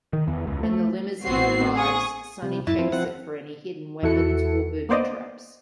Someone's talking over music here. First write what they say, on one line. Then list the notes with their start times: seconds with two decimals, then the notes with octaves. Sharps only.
When the limousine arrives, Sonny checks it for any hidden weapons or booby traps.
0.13 D#3
0.28 E2
0.47 C#2
0.63 A3
1.25 A1 B3 C4 F#4 C7
1.75 G#4 C#6 D#6
2.42 C3 G3
2.67 F#2 E4 A6
2.79 F3 C4
2.92 F3 C4 F#5
4.03 E2 E4 F#4 A4 C#7
4.89 A#3 B3 C5 D5 D#5